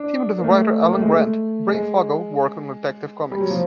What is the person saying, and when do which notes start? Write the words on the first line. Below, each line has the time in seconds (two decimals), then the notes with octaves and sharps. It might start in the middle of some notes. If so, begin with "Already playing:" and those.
Teamed with writer Alan Grant, Breyfogle worked on "Detective Comics".
Already playing: D4
0.38 A#3
0.44 A3
0.85 A#3
0.94 A3
1.01 G#3
1.09 A3
1.68 G#3
3.31 G3
3.40 F#3
3.50 F3